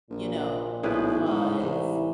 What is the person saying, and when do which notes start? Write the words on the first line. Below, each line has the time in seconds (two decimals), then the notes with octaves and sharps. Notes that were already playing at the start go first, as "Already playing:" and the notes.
You know, because,
0.10 A#1 A#2
0.83 B1 A2 G#4 B4
1.26 G#2
1.60 C2 E3